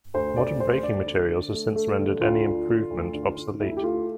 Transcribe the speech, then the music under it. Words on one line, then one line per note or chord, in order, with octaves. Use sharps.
Modern braking materials have since rendered any improvement obsolete.
D2 C5
D2 D5
D2 C5
D3 D5
D3
D3
A3
A3
D3
D2 F4
D3
D3
D2
D3
D3
D2 E4
G4
A3 F4